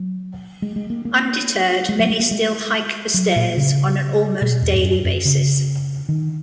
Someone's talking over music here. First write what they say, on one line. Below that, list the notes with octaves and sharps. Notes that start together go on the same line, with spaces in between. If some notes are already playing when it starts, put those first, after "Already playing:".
Undetered, many still hike the stairs on an almost daily basis.
Already playing: F#3
G#3
G#3
A#3
A#3
G#3
F#3
G#3
A#3
G#3
F#3
A#2
C#3
B2
E2
G#2
F#2
F#2
C#3
D#3